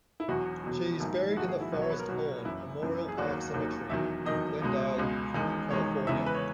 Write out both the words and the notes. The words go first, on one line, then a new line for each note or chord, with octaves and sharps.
She is buried in the Forest Lawn Memorial Park Cemetery in Glendale, California.
E4
E1 E2 B2 F#3 F#4
E1 E2 B2 F#3
A#1 G#2 D#3 E4
E4
A#1 G#2 D#3 F#4
G#4
E4
B1 B2 F#3 F#4
C#5
B4
A#4
B1 B2 F#3 F#4
F#1 F#2 E3 E4
F#1 F#2 E3
G#4
E1 D#2 D#3 F#3 F#4
E1 D#2 D#3 F#3
E1 E2 D#3 F#3 E5
E1 E2 D#3 F#3 D#5
C#2 B2 G#3
C#2 B2 G#3
E1 E2 D#3 G#3
E1 E2 D#3 G#3 C#5
E2 C#3 E3 G#3 E5
B4
C#5